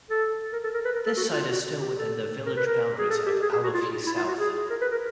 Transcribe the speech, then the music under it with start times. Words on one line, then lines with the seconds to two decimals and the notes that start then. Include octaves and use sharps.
This site is still within the village boundaries of Alofi South.
0.10 A4
0.53 A#4
0.64 A4
0.74 A#4
0.85 B4
0.95 A#4
1.06 A4
1.17 F#4
1.34 F4
1.49 F#4
1.81 G4
1.98 A4
2.46 A#4
2.57 B4
2.67 A#4
2.99 G#4
3.10 A4
3.26 G4
3.42 G#4
3.53 G#4
3.64 F#4
3.74 F4
4.06 E4
4.17 F4
4.28 F#4
4.39 G#4
4.70 A#4
4.81 B4
4.92 A#4